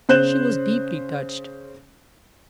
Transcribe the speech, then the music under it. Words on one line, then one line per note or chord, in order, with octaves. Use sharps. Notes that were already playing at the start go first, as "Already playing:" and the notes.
She was deeply touched.
C#3 C5 F#6 G6 E7